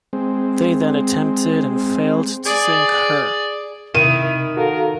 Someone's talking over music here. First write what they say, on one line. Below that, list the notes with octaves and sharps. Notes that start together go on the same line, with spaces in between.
They then attempted and failed to sink her.
G#3 C4
G#4 D5
C3 D#3 E4 D#7
F#4 A4 A#4 F5